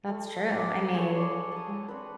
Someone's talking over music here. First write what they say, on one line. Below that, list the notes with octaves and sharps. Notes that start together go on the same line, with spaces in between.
That's true. I mean, yeah.
A3
G5 D6 E6
G#4 A4 B4 C#5
C#5 D5
A5 D#6
C4 D4 B4